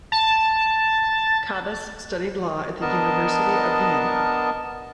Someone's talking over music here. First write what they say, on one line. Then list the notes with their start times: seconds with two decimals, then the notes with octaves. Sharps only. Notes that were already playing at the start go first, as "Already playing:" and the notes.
Kabas studied law at the University of Vienna.
0.12 A5
2.81 B3 D4 A#4 D#5 A5